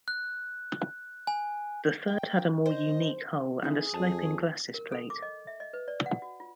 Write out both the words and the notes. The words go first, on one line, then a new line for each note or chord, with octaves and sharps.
The third had a more unique hull and a sloping glacis plate.
F#6
G#5
G5
C5 D#5
C4 D#4 E4 G#4
F2 A5
A#4
A4
D6
D#5
E5
D#5
B4
D5
F#5
F#4
F4